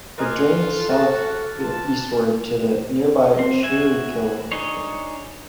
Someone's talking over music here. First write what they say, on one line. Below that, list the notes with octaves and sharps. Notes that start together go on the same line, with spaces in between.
It drains southeastward to the nearby Schuylkill River.
F4 A#4 D#5 G#5 D6 F6 F#6
A4
F#4 G#4 A5 A6
F4 A5
C4
F#4 E5 G#5
D4 D#4 G#4 C#5